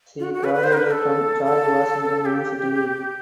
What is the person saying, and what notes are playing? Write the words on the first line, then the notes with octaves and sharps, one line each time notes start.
She graduated from George Washington University.
F4
F#4
F#4
B4
B4
C5
A#4
B4
A4
A4
G4